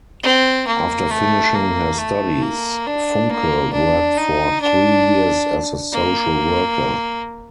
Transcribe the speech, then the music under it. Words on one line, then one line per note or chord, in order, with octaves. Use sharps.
After finishing her studies, Funke worked for three years as a social worker.
C4
A#3
A3
A#3
A3
A#3
D4
A#3
D4
D#4
D4
A#3